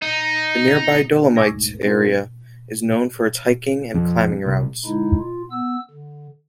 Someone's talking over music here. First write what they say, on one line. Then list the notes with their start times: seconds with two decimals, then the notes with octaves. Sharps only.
The nearby Dolomites area is known for its hiking and climbing routes.
0.02 D#4
1.23 D4
1.36 G#5 C#6 D6 E6 G#6 A#6
1.49 G#1 D2 G#2
1.85 G#3 C4 D4 F4 A4 A#4
3.94 F2
4.46 C2
4.86 D3 G#3 D#4 E4
5.19 F4
5.51 B3 E6
5.91 D3